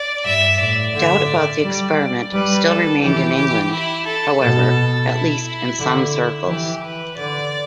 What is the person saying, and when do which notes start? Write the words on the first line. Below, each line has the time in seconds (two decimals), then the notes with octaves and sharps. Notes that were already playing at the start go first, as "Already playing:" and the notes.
Doubt about the experiment still remained in England, however, at least in some circles.
Already playing: D5
0.25 G2 E5
0.60 A2 D5
0.94 D3 E5
1.29 D5
1.63 G3
2.33 G3 B4
2.67 A4
3.01 E3 G4
3.36 G4
3.71 E4
4.06 A4
4.40 B2 A4
5.09 E4
5.79 D3
6.47 E3 G4
6.83 B4
7.17 D3 D5